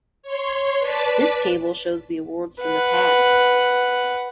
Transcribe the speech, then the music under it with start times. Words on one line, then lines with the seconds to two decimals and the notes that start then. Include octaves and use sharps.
This table shows the awards from the past.
0.23 C#5 C6
0.79 B4 D5 A5 B5
2.62 B4 F#5